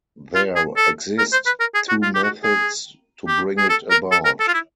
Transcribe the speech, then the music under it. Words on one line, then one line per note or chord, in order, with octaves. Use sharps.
There exist two methods to bring it about.
F4
G#4
A4
A#4
C5
B4
A#4
G#4
F#4
F4
G4
F#4
G#4
G4
G#4
A4
A#4
A4
A#4
A4
F4
E4